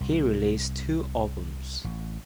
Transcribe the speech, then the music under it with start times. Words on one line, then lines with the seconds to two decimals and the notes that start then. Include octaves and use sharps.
He released two albums.
0.01 C2
1.84 A1